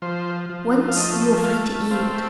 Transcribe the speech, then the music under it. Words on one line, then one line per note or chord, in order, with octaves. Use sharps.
Once you will find it yield.
F3 C5
F3
F5
A3 D#5
A3 F5
C4 F5